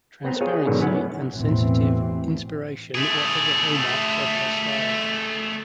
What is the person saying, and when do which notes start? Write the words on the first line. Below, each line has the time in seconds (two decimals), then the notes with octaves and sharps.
Transparency and sensitive inspiration were other hallmarks of her style.
0.24 B3 C4 A#5
0.41 F4 G#4 C#5
0.53 G#4
0.66 G#2 B2 D3 D#3 F#3
0.80 F#3 B3 C#4 E4 F#5
1.34 A1 E2 B2 E3 C4
2.95 A3 G#4